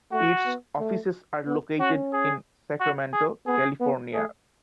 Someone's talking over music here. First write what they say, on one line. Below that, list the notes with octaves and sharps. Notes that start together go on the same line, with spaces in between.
Its offices are located in Sacramento, California.
A3 F#4
B3
A3
B3
C#4 F#4
G#4
F#4
G#4
B3 G#4
B3
A3 G#4